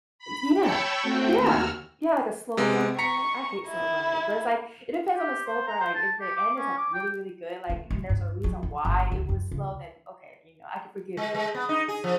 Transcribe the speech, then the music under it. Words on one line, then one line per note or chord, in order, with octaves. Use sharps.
Yeah. Yeah. Yeah, like a slow burner. I hate slow burners, but it's like, it depends on the slow burn, like, if the end is, like, really, really good, like, and there's a reason why it was slow, then okay, you know, I can forgive you.
B5
C#5 G5 A5 B5 C#6 E6
A3 C4 F#4 G5
D#2 F#4 E6 F6
C3 G#3
A#5 C#6 B6 C#7
E4
G4
C5
A#5
C5
A5
G4
D6
C#4
D6
G5
A3
G#3
G2
F#3
D#3
G1
D2
F#2
C#2
G#3
G#3
B3
D#4
G#4
F3